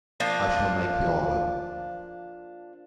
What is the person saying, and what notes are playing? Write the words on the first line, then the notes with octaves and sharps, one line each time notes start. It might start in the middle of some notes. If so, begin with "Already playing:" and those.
I shall make the order.
F3 A#3 D4 F4